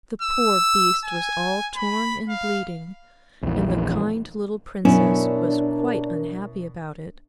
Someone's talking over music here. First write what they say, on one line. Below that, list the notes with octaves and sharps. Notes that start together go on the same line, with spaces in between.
The poor beast was all torn and bleeding, and the kind little Princess was quite unhappy about it.
E6
G#5
B5
F5
A#1 E2
F#2 B2 C#4 D4 E4 A#4